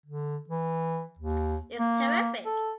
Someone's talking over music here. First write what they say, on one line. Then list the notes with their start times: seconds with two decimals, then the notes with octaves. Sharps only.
It’s terrific.
0.06 D3
0.49 E3
1.18 D#2
1.79 A#3
2.45 A4